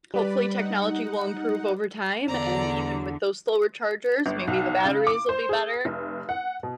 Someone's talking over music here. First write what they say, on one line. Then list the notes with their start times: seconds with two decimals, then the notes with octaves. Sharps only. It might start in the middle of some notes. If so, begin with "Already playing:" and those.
hopefully technology will improve over time, and even with those slower chargers, maybe the batteries will be better,
0.14 G3 B4 D5 B5
0.58 D#4 F#5
2.28 E2 D3 B3 D5 A#5
4.26 G1
4.48 B1
4.85 C#3
5.07 D6
5.29 C5
5.49 G#4
5.85 F1
6.29 F#5
6.63 B2